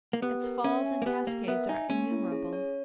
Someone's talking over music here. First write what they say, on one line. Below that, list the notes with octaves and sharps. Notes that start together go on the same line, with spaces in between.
Its falls and cascades are innumerable.
A#3
B3 G4
A#4
C#4 E5
G#5
A#3
B3 G4
A#3 A#4
B3 E5
D#4 G#5
A#3 C#4
E4
G#4
C#5